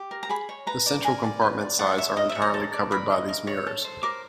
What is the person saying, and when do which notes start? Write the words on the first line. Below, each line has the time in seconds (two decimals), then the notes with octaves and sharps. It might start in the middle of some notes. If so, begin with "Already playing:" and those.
The central compartment sides are entirely covered by these mirrors.
Already playing: G4
0.11 A#4
0.23 A#5
0.29 G#4 B5
0.49 C#5
0.67 B4 A#5
0.86 D5
1.04 A#4 G#5
1.23 D5
1.42 B4
1.61 D5
1.79 A4 F#5
1.97 C#5 E5
2.16 A#4 D#5
2.29 E5
2.35 C#5
2.42 A#5
2.54 A4
2.73 D5
2.91 A#4 B5
3.11 D#5
3.29 A#4
3.47 C#5
3.67 A4
3.84 C5
4.03 A#4 D6